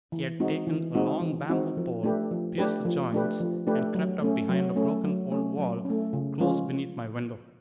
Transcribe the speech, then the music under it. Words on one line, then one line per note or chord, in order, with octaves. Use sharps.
He had taken a long bamboo pole, pierced the joints, and crept up behind a broken old wall close beneath my window.
E3
G#3 C4 D#4 F#4
E3
G#3 C4 D#4 F#4
E3
G#3 C4 D#4 F#4
F3
A3 D4 G4 B4
F3
A3 D4 G4 B4
F3
A3 D4 G4 B4
F3
A3 D4 G4 B4
F#3
A3 C#4
F#3
A3 C#4
F#3
A3 C#4
F#3
A3 C#4
C#3
F3 G#3 C#4 F4